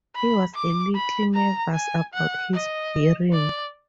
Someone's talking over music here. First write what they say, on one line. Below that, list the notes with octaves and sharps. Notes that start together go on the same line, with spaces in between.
He was a little nervous about his bearing.
B5
D6
B5
A#5
G#5
F#5
D#5
D5